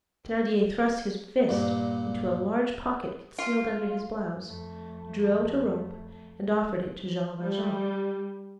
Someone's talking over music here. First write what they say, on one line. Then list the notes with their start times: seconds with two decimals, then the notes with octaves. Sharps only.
Thenardier thrust his fist into a large pocket concealed under his blouse, drew out a rope and offered it to Jean Valjean.
1.49 G2 A#2
3.39 F4
4.46 F2 A3
7.41 G3